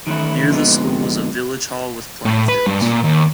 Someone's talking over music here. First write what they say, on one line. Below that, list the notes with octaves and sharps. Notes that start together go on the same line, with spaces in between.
Near the school is a village hall with playing fields.
D#3 E3 A3 C#4 E4
F2 A#2 D3 G#3 B3 D#4
A2
B4
G2
A#2
D#2